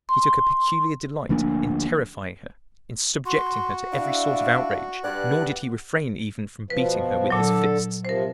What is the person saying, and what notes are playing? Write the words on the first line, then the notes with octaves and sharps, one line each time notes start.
He took a peculiar delight in terrifying her, in subjecting her to every sort of outrage; nor did he refrain even from beating her with his fists.
C6
D2 F3 A#3 D4
F#4 C6
D4 E4 F5
G2 D5 F#5 F#6
B2 F3 B4
A#2 D3 F#3 A4
C3 F3 A#4 C5